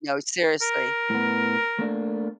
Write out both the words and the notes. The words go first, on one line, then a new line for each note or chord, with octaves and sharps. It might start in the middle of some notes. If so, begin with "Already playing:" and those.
No, seriously.
A#4
A2 B3
A3 A#3 D4